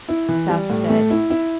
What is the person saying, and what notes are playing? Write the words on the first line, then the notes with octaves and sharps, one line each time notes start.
stuff that
E4
E3
G3
A2
A3
E4
E4